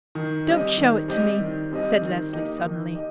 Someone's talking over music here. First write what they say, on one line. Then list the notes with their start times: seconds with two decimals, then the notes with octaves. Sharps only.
"Don't show it to me," said Leslie suddenly.
0.15 D#3
0.47 G3 C4 G4 D#5
0.77 D#3
1.08 G3 C4 G4 D#5
1.40 D#3
1.71 G3 C4 G4 D#5
2.02 D#3
2.33 A#3 D#4 G4 D#5
2.64 D#3
2.95 G4 D#5